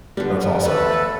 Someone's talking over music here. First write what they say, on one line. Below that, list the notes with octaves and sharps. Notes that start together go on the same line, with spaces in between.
That's awesome.
D3 G3 B3
A3 A4 B4